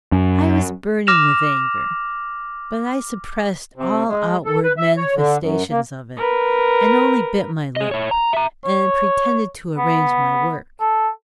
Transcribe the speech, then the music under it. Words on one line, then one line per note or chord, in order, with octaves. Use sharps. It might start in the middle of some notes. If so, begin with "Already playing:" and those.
I was burning with anger; but I suppressed all outward manifestations of it, and only bit my lip and pretended to arrange my work.
F#2
D6 F6 A#6 E7 F7
C3
G#3
A4
B4
E5
C#5
D3
F#2
A#3
A#4 B4
G#4 D#5
E4 C#5
A#5
E5 A#5
C#5
B3
A4